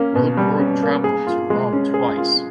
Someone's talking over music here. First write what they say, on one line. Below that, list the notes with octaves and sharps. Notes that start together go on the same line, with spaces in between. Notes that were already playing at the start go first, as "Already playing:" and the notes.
Willibrord travelled to Rome twice.
Already playing: A#3 C#4
B2
G3
C#4
A#3
G#4
F4
G#3
C#4
G#4
F4